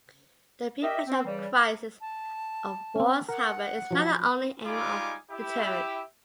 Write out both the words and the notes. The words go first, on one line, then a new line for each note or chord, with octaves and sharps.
The prevention of crises of wars however is not the only aim of deterrence.
G4 A#4 D#5 E5
C4
C#3 E3 G3
A5
C4 C#4
A#4 F#5
F3 F#3
G3 G#3 D#4 F4 G#5 D6
E4 G4 E5